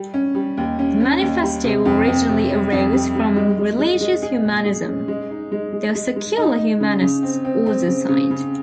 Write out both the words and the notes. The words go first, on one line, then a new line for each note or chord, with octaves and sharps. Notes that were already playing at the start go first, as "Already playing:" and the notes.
The Manifesto originally arose from religious Humanism, though secular Humanists also signed.
Already playing: G3
C#4
G3
D#2
C#4
C#4
D#2
G3
C3
F2
F2
C3
G3
F2
G3
G3
G#3
G#3
G#3
G#3
G#4
A#2
G#4
C#4
G#3
D#4
G#3
G#3
G#3
G#3
D#4
D#4
C#3
C#3
C4
C4
C4
C#3
C#3
C#3